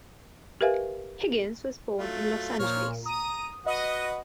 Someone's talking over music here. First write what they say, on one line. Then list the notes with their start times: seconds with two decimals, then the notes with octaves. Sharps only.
Higgins was born in Los Angeles.
0.61 G4 A#4 B4 E5 F5 G#5
1.99 F#3 A3 F4
2.59 A#2 F3 C#5 F6
3.06 A#5 D#6
3.66 F#4 B4 D#5 F#5